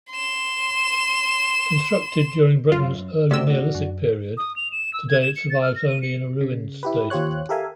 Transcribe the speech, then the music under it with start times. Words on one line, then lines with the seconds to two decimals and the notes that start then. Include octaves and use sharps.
Constructed during Britain's Early Neolithic period, today it survives only in a ruined state.
0.11 C6 E7
2.72 F#2 F4
3.31 C3 A3 C4 F#4 D5 E6
3.47 D4 F#4
3.75 F#2
4.37 D#6
4.56 F7
4.72 E7
4.93 E6
5.09 G#6
5.22 E7
5.36 C#7
5.50 A6
5.62 F6
5.76 A#6
5.89 D#7
6.02 C#7
6.41 C#3
6.83 E4 G4 B4
7.10 D#2 F4 G4 C5 C#5 F#6
7.49 G4 A4 A#4 E5 F5 G#5